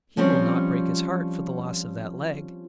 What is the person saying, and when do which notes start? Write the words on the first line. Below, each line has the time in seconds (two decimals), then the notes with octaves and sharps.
He will not break his heart for the loss of that leg.
0.17 F3 G3 C4 C#4